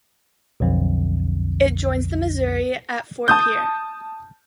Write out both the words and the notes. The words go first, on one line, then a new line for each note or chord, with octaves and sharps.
It joins the Missouri at Fort Pierre.
B1 F2 D3
A5 D#6 G6